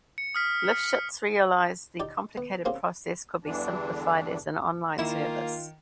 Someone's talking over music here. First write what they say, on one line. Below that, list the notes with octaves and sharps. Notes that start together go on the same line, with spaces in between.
Lifshitz realized the complicated process could be simplified as an online service.
C#7
D#6 F6 B6
D#4 G4 D5
B3
A#3 C4 C#4 G4 G#4
E2 G2 D3 E3 D4
D#3 A#3 E4 F4 E7